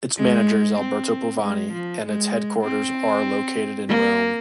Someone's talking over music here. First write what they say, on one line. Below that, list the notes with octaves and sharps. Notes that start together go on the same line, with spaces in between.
Its manager is Alberto Polvani and its headquarters are located in Rome.
G#3
C4
G#3
F3
G#3
C4
A#3